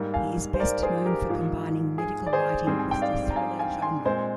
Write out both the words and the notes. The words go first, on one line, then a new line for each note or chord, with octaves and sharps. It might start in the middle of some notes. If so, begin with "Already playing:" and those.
He is best known for combining medical writing with the thriller genre.
Already playing: G#2 G3 A#3
F5 G#5
C5
A#4 D5
G#4 C5
G4 A#4
G#2 F3 A#3
G#4
D5
G#4 C5
G#2 G3 C4 G#4
G#5
G5
D5 F5
A#5
F5 G#5
F5 G#5
G#5 C6
A#2 G#3 C4 C5 D#5